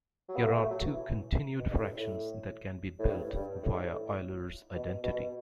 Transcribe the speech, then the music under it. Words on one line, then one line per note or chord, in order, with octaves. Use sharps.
Here are two continued fractions that can be built via Euler's identity.
F#3
B3
A3
A3
F#3
E3
B2
G2
A2
A2
A2
G2
G2
A2
G2
A2
B2
B2